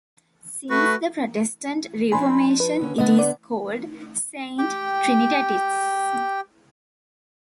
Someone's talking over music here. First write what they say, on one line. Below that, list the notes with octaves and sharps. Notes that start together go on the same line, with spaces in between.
Since the Protestant Reformation it is called Saint Trinitatis.
A3 F#4 B4
F3 D4 G#5 B5 C6
B4
D#2 D3 C#4
D3 A3 B3 D#5
D5
G4 G5